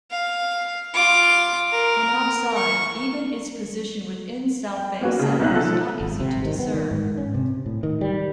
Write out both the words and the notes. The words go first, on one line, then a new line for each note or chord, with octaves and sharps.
From outside, even its position within Southbank Centre is not easy to discern.
F5
F4 D6
A#4
C#6
G5
A#3 B3 C#4 F#4
C#3 A5
C2 B2 D#4 E5 F#6
F3 A4
G#1
C3
D#3
B3
D#3
G#2
C#4
C3
A2
D#3
G3